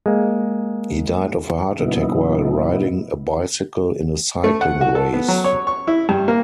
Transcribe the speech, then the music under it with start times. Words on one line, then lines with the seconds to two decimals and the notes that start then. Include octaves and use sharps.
He died of a heart attack while riding a bicycle in a cycling race.
0.06 G#3 A#3
1.79 A#2 C#3 F#3 B3 D#4 E4
4.44 A3
4.61 F#5
4.81 F#4
4.95 A4
5.13 B3
5.28 F#3
5.44 C#5
5.67 C#6
5.87 E4
6.09 G2
6.28 A#3